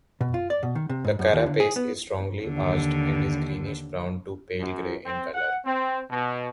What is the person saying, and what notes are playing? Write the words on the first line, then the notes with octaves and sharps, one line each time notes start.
The carapace is strongly arched and is greenish brown to pale gray in color.
B2
F4
D5
B2
D#3
C3
G#2
F#2
D#2
D3
G#4
B3
D#2 D3
F#2
C4
F#5
C4
B2